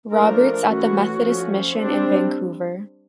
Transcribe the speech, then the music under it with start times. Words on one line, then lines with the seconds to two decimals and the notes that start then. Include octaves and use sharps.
Roberts at the Methodist mission in Vancouver.
0.13 F3 A3 D4 A#4
0.67 E3 A3 C#4 F#4
1.21 F3 A3 C#4
1.76 G3 C4 D4